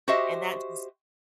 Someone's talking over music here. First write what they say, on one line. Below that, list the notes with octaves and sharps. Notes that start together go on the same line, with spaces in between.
And that just
F#4 G4 C5 D#5 E5